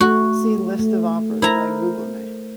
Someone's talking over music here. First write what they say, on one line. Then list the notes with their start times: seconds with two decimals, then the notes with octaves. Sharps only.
See List of operas by Guglielmi.
0.01 A3 F#4
0.79 A3
1.42 E4 A#4 C5 A#5